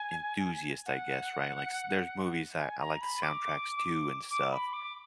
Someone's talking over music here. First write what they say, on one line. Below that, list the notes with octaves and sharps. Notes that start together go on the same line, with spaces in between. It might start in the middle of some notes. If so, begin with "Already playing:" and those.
enthusiast, I guess, right, like s there's movies that I like the soundtracks too and stuff,
Already playing: G#5
F#5
G#5
A#5
B5
D6
D6
B5
D6